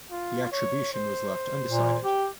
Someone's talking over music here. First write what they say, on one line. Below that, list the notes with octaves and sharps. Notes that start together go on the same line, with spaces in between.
The attribution was left undecided.
F4
C#5
C5
A#2
G4